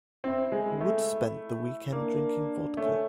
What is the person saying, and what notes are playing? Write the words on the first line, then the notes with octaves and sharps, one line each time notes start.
Wood spent the weekend drinking vodka.
C4 E4
G#3
A3
A#3 D4
A3 C#4